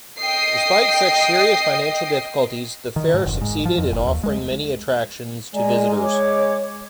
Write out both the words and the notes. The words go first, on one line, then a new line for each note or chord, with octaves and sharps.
Despite such serious financial difficulties, the Fair succeeded in offering many attractions to visitors.
D#5 G5 D#6 C7
D#3
G#2
F1
G#2
F3
F2
F#1
D#2
G#3
G#3 D5 G#5 A#5
C#5 D6